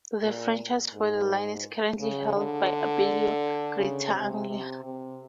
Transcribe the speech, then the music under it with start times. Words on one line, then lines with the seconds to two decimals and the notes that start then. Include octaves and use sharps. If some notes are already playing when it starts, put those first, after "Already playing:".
The franchise for the line is currently held by Abellio Greater Anglia.
0.23 A#2
0.93 G#2
2.00 C#3
2.36 D3
3.78 C#3
4.15 C3
4.49 C3
4.85 C3